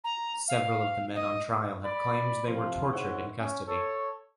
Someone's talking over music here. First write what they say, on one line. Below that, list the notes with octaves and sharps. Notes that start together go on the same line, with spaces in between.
Several of the men on trial have claimed they were tortured in custody.
A#5
F5
D#5
D5 B5
C3 F3 F4
G#2 C#3 E4 C5 C#5 F#5
C#4
A4 C#5